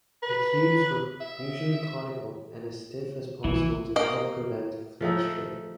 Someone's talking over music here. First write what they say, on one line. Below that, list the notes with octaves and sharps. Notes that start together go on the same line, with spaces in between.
The tubes were usually conical and as stiff as possible to help prevent flexure.
B4
E5
A#1 C3 E3 E4
A#3 D#5
F3 A3 D#4 A4